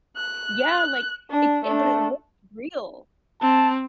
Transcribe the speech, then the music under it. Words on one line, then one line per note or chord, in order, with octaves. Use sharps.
Yeah, like it i but it looks real.
F#6
D4
A3 D4
C4 A5